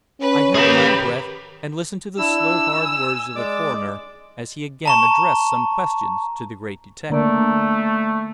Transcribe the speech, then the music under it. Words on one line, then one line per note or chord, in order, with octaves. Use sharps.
I held my breath, and listened to the slow, hard words of the coroner, as he again addressed some questions to the great detective.
C#4 B4
G4 G#4 A#4 B4 B5
D4 E4 E6
G#5
G#3 D5 D6
A5 A#5 C#6
D3 A3 A#3 D5